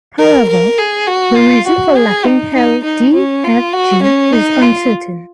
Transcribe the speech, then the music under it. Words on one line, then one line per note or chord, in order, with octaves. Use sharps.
However, the reason for lacking Hell D, F, G is uncertain.
A#4
A#4
G#4
F#4
F4
F#4
G#4
D#4
D#4
D#4
C#4
F4
F#4
C#4
D#4
F4